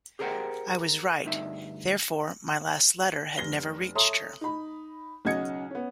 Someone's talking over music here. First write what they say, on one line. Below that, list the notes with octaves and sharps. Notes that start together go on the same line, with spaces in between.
I was right, therefore, my last letter had never reached her.
G4 G#4 A#4 C5 F#5 G5
D2 G2 D#4 E5
F1 A#6 G7
A4 C#5 E5 A#5 C6 D#6
D#4 B5
B1 C#3 F#4 D#5 G#6 C#7
B3 C#4